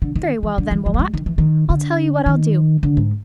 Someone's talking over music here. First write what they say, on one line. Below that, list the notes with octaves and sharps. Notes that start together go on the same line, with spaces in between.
Very well, then, Wilmot, I'll tell you what I'll do.
D3
D#3
E3
D3
E3
F#3
G3
G#3
D#3
E3
D#3
D3
D#3
D3
G#2